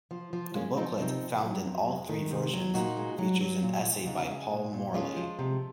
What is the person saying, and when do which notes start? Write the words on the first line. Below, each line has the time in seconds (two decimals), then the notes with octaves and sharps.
The booklet, found in all three versions, features an essay by Paul Morley.
0.11 F3
0.33 F3
0.55 G#3 A#3 C#4
0.77 F3 C4 D#4
0.99 C3 C4 D#4
1.21 C3
1.42 F#3
1.65 F2
1.87 G#3
2.09 D#3
2.31 C3
2.53 F#3
2.74 A#2 D#4 F#4
2.97 G#3
3.19 F#3
3.41 F#3
3.63 A#2
3.85 F3
4.07 C#3 D#4 F#4
4.29 G#3
4.51 A#2
4.73 A#2
4.94 G#3 C#4 F4
5.16 F3
5.39 C3